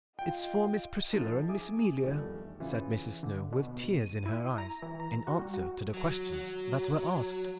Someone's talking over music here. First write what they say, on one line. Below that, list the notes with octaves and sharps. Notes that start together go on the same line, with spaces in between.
"It's for Miss Priscilla and Miss Amelia,'" said Mrs. Snow, with tears in her eyes, in answer to the questions that were asked.
F4 D#5 G5
F3 C4 D#4 A4
G#4 E5 G#5 D6 D#6
E2 D#3 F3 G3 A3 D4
C#3 E3 E4 F4
D3
B2
D2
D#7
E4
A#5
E3
A#5
F#4
G3
F#4
F#3
F#3